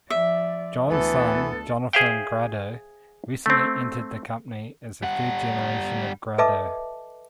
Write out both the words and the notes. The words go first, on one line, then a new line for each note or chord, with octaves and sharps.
John's son, Jonathan Grado, recently entered the company as the third generation of Grado.
F3 D5 E5
D2 E3 B3 A4
G#4 C5 E5 F5 G5
A3 C4
G3 F#5
A4 B4 D#5 E5 A5 D6